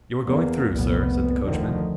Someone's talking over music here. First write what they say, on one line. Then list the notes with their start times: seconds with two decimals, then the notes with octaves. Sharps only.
'You are going through, sir?' said the coachman.
0.24 E2 A#3
0.71 F1 C2 A#2 B3
1.44 F1 D2 D3 D#3 F3